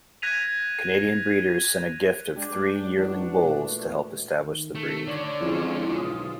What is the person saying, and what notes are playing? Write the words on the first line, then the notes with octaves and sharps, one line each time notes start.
Canadian breeders sent a gift of three yearling bulls to help establish the breed.
F#6 G#6 A#6 B6 D#7 F7
G#3 D4 G4
E3 F#4
A#2 A3
D#3
A3
D3 C#5 D5 F#7
F2 E3 F3 G#3 C#4 F4
B1 F4 D#6